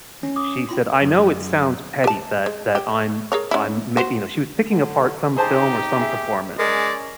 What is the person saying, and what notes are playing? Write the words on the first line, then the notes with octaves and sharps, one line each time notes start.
y she said, "I know it sounds petty that that I'm I'm ma" you know, she was picking apart some film or some performance.
C#4
D6 D#6
C#4 F4 C6
F#2
G4 A5
G#3
G4
G#4 A#4 C#5
C#4 E4
F#4 C5
D3
D#4 G4 G#4 C5 A5
G#4 E5
G#3 C#4 A#4 D5